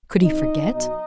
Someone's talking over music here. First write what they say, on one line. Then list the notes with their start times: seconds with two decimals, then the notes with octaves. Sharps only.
Could he forget?
0.21 C3 F3 D#4 D#5
0.71 B2 F#3 D#4 D#5